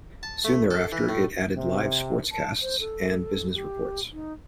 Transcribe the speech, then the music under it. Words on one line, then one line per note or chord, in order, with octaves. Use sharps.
Soon thereafter, it added live sportscasts and business reports.
A5
A3
A4
E3
A2
C3
A5
C5
A4
G4
D#4